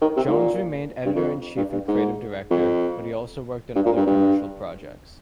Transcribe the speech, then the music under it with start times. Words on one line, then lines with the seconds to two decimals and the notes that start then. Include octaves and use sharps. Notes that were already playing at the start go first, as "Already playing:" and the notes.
Jones remained editor-in-chief and creative director, but he also worked on other commercial projects.
0.01 D#3
0.16 C3
0.28 G#2
0.32 A#2
1.05 G2
1.15 F2
1.57 G2
1.72 G2
1.88 G#2
2.50 F2
3.75 G2
3.86 A#2
3.97 G2
4.07 G2